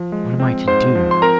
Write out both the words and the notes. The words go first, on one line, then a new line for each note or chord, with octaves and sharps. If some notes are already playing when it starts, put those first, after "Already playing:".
"What am I to do?"
Already playing: F3
G#3
C4
G#2 C5 C6
F3
C6
C4 A#4 A#5